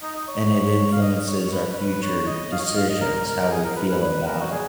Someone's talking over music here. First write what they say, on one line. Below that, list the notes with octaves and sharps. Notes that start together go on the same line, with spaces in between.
and it influences our future decisions, how we feel about it.
D#4
D#4
C#5
C#5
F5
D#5
C#5
C#5
B4
B4
C#5
D#5
F5
C#5
D#5
F5
D#5
A#4
A#4
G#4
A#4
B4
B4
B4
A#4
F#4
G#4